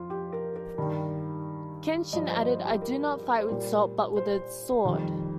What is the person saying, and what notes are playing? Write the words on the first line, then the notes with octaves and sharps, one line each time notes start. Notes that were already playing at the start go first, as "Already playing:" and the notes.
Kenshin added, "I do not fight with salt, but with the sword".
Already playing: F2 F3 F4
G4
A#4
A#4
G2 D#3 G3
G2 F3 D#5
C5
D#5
C5
G4
A#4
C5
A#2 G3 A#4
C5
F2 D#3 G3